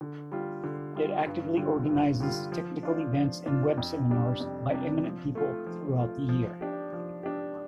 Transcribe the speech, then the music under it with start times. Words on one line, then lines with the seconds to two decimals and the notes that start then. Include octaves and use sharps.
It actively organizes technical events and web seminars by eminent people throughout the year.
0.01 D3
0.32 G3 F4
0.64 D3
0.95 G3 F4
1.26 G2
1.57 D3 G3 F4
1.89 G2
2.20 D3 G3 F4
2.52 F3
2.83 D4 F4
3.16 F3
3.46 D4 F4
3.78 F2
4.09 C3 G3 D4
4.40 F2
4.72 C3 G3 D4
5.04 F3
5.35 A3 F4
5.66 F3
5.98 A3 F4
6.29 F3
6.61 D4 G4
6.93 F3
7.23 D4 G4